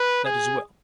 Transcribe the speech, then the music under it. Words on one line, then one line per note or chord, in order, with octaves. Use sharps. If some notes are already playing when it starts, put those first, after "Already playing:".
"That is well."
Already playing: B4
G#4